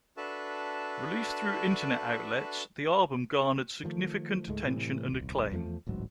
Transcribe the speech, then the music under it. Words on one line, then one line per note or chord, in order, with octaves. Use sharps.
Released through internet outlets, the album garnered significant attention and acclaim.
D4 F#4 A4 B4 E5 A5
D#3 F3 G3 A3
C#2 G#2 G#3 A3
A2 C3 E3
D#1 C2
E2 F3 A3
D1 A1 G#2 F#3